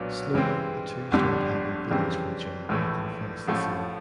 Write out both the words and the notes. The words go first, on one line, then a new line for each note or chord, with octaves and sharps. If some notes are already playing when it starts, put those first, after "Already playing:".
Slowly the two start having feelings for each other and confess the same.
Already playing: B1 A#2 F#3 B3 D4
G2 E3 G#3 C4
G1 F2 D3 G3
F2 C#3 E3 G3 C4
A#1 A2 E3 A3
A1 A2 F3 A3